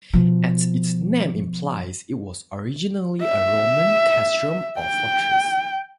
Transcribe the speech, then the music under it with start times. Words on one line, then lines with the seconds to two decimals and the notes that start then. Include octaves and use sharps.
As its name implies, it was originally a Roman castrum or fortress.
0.13 B2 F3
3.22 E5
4.79 G5